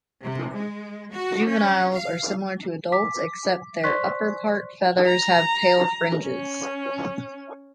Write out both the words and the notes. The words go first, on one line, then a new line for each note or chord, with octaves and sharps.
Juveniles are similar to adults except their upperpart feathers have pale fringes.
C3
G#3
F#4
C#4
F5
D6 B6
C5 D5 C6 C#6 F#6 B6
A#5
C#4